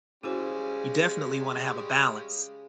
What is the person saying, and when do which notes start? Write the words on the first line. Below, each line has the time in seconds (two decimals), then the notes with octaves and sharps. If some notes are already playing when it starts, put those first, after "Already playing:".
you definitely wanna have a balance.
0.23 C#3 G3 G#3 C#4 E4 F#4 C5